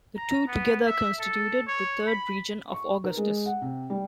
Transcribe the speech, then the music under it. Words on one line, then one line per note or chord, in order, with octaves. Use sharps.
The two together constituted the third region of Augustus.
A#5
B3
E5
A4
C#5
B5
C#6
A#4
G#3
F#5
C3
G3